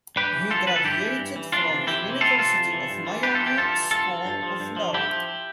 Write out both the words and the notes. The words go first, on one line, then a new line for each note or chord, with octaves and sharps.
He graduated from the University of Miami School of Law.
G2 G4 B4
E3
G2 F4 A4
E3 B4
A4
G2 E4 G4
E3
G2
E3
F2 D4 F4
C3 E3
F2 E4 G4
C3 E3
F2 F4 A4
C3 E3 F4 A4
F2
C3 E3
G2
E3
G2 G4 B4
F4 A4
E3
E4 G4
G2 F4 A4
E3
G2 F4 A4
E3
G2
F3
G2
F3
G2 E4 G4
F3